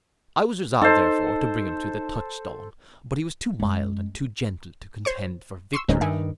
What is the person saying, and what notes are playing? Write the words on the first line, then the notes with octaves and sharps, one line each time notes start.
I was resolved therefore to bring him to the touch-stone; but he was too mild and too gentle to contend for victory.
D#4 A4 C5
F#2 G#3
C5 C#5 C#6
C6 C#6 E6
D1 G#3 C#4 D#4
G2 D#3 E5 G#5